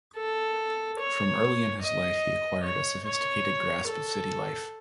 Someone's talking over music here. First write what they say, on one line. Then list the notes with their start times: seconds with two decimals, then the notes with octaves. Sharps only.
From early in his life he acquired a sophisticated grasp of city life.
0.16 A4
0.99 C#5
1.82 D#5
2.64 C#5
3.05 C#5
3.88 A4